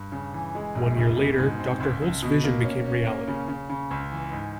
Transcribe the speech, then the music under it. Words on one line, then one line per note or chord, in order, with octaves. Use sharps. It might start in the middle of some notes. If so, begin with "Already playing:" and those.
One year later, Doctor Holt's vision became reality.
Already playing: G2
C#3
E3
G#3
A#1
F1
B2
G#2
C4
C#2
C#2
B2
A#3
C#4
C#4
A#3
C#3
C#3
C#3
C#2
E3
G#2